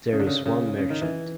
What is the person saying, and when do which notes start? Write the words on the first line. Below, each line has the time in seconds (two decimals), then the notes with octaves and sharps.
There is one merchant.
0.13 C#3
0.20 D3
0.27 C#3
0.46 C#3
0.78 C#3
0.90 D#3
1.01 E3